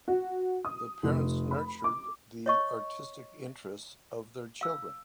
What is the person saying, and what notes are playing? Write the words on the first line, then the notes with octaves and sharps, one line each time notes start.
The parents nurtured the artistic interests of their children.
F#4
D#6
F1
B5
D6
C#5 D#5 C#6
F5 E6